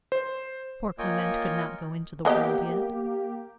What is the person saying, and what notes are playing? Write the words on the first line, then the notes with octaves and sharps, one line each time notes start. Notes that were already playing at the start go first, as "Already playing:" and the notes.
Poor Clement could not go into the world yet.
C5
A#3 F4 C#5 D#5 G5 G#5
F#3 A#3 B3 G4 D#5